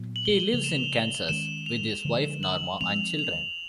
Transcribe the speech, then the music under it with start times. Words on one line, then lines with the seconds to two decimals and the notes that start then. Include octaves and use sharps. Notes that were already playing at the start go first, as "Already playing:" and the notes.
He lives in Kansas with his wife Norma and children.
Already playing: A#2 F#3 B3
0.16 F#7
0.25 G7
0.36 F#7
0.53 C#3 F3 A3 F7
0.64 E7
0.75 F7
1.29 D#3 G#3 C#4 E7
1.66 F7
2.05 D3 F3 G#3
2.43 F#7
2.81 F3 G#3 C4 F7
3.19 F7